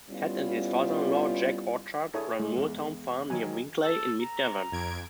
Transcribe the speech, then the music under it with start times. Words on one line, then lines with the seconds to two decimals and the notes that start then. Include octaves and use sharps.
Ted and his father-in-law, Jack Orchard, ran Moortown farm near Winkleigh in Mid Devon.
0.10 G3 B3 C#4 E4 F4
2.14 D4 E4 G#4 A4 C#5 D#6
2.40 G#3
2.56 E2
3.30 D#3 F#3 G#5
3.83 A4
4.20 A#5
4.72 F2 G#6 D7